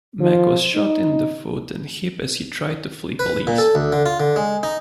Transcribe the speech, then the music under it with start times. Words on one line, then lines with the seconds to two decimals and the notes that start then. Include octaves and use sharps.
Mack was shot in the foot and hip as he tried to flee police.
0.21 F3
0.75 D#4
3.19 B4
3.47 A#2
3.58 A4
3.75 D2
3.92 D3
4.06 F4
4.20 D3
4.36 G#3
4.63 D#4